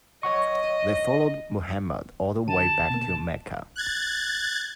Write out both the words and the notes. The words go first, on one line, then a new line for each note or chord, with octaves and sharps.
They followed Muhammad all the way back to Mecca.
C#5 D#5 F#5 C#6
D3 G4 A5 D#7
B2 A#3
F#6 G#6 A6